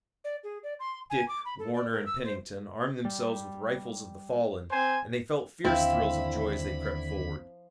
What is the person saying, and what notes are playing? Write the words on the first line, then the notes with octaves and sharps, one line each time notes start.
Dick, Warner and Pennington armed themselves with rifles of the fallen, and they felt fierce thrills of joy as they crept forward.
D5
G#4
D5
C6
G#5
D6
B5
A4
D5
A#4
E6
C5
G3
C4 C5 G#5
D#2 D3 F3 C4 E4 B5